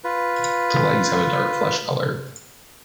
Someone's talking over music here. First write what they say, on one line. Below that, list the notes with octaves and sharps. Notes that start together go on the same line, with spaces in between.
The legs have a dark flesh color.
F4 B4